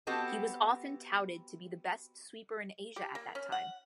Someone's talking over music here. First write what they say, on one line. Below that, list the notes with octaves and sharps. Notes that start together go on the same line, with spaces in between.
He was often touted to be the best sweeper in Asia at that time.
B3 C4 F#4 G4 A4 D#5
G4
A#3
C#4
F#5